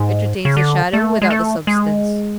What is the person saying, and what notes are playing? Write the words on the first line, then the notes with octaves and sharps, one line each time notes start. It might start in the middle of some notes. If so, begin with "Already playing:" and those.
It retains the shadow without the substance.
Already playing: G#2
C#3
D3
A3
G#3
A3
G#3